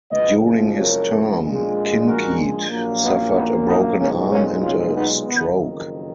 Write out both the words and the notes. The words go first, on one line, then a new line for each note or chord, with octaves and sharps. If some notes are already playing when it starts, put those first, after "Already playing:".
During his term, Kinkead suffered a broken arm and a stroke.
F#1 F2 F3 G#3 B4 D#5
A#4 C#5
A#1 A#2 F3 G#3
F#4 A#4
A#1 A#2 F#3 A#3
B3 D#4
B3 D#4
B3 D#4
B1 A#2 G#3 A#3 C#4
A#3 C#4
C#4 F4
B3 D#4
F#1 F2 D#3 B3